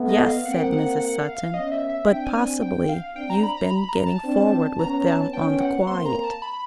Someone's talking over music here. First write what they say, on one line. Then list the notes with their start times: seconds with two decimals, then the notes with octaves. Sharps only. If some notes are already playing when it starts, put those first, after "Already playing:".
'Yes,' said Mrs. Sutton; 'but possibly you've been getting forward with them on the quiet.'
Already playing: A3 B3
0.09 D#5
0.27 F5
0.45 A#3 C4 F#5
0.53 G5
0.60 F#5
0.72 F#5
0.99 F#5
1.18 F5
1.35 F5
1.54 B3 C#4 D#5
1.72 E5
1.89 E5
2.08 C4 D4 G5
2.26 G#5
2.62 G5
2.89 F5
3.16 C4 D4 G5
3.30 A#5
3.43 B5
3.57 A#5
3.70 B5
3.89 A#5
4.06 A5
4.24 C4 D4
4.79 B3 C#4 A#5
5.07 A5
5.33 B3 C#4 G5
5.60 F#5
5.87 A#3 C4 C6
6.06 A#5
6.24 A5
6.42 B5